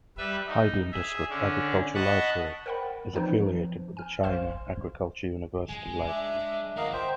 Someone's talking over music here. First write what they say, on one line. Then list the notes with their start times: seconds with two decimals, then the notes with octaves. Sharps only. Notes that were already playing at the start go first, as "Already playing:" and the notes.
Haidian District Agriculture Library is affiliated with the China Agricultural University Library.
0.18 G3 B4 E5
0.47 D#4
0.92 G#4 E5
1.30 D3 C#4 D4
1.95 D#5 F#5 A5 B5 C#6 F#6
2.66 A#4 C5 F#5 G5 B5
3.13 E3 F3 C4 D#4 B4 C5
3.49 F3
3.97 G#5 F6
4.23 A#1 C5 F5 C6 F6 E7
5.69 G#3 G#5
6.07 D4 E5
6.77 F4 A#4 C#5 D#5 F5 F#5
6.93 C5 E5 G5